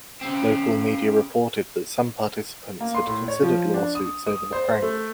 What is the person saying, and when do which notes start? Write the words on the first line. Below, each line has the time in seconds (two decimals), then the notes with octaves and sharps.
Local media reported that some participants had considered lawsuits over the prank.
0.21 C#3 C4
2.81 A#3
2.95 C6
3.07 A2
3.28 C#5
3.43 F3
3.74 D4
3.95 D#6
4.27 D#6
4.53 C5
4.82 A3